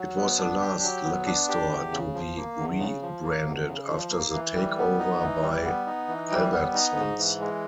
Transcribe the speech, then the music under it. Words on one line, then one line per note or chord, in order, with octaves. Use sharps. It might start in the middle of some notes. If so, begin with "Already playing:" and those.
It was the last Lucky Store to be re-branded after the takeover by Albertsons.
Already playing: F#3
B3
D4
G4
F#3
B3
D4
G4
E2
C#3
F3
A#3
E2
C#3
F3
A#3
E2
C#3
F3
A#3
E3
G3
B3
D#4
E3
G3
B3
D#4
E3
G3
B3
D#4
G#2
E3
G#3